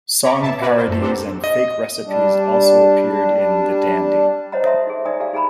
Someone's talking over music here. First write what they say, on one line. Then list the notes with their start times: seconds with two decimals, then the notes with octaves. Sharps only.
Song parodies and fake recipes also appeared in "The Dandy".
0.23 C#5 A#5 B5 C#6 D6
0.43 B2 E5 A5
0.62 F#4 A#4 B4 D5
0.77 C5
0.88 F#2 A4
1.01 C4 D4 G4 A4 A#4 C5
1.44 D#5
2.03 G3 D4
4.52 C5 C#5 D#5 F#5 A#5
4.64 A4 C#5 E5 A5 C6 D#6
4.87 D#4 G#4
5.05 D#4 D5 G#5 A#5 D#6
5.20 G4 A4 D5 F5 G#5
5.33 D#4 G#4 G#5 A#5 B5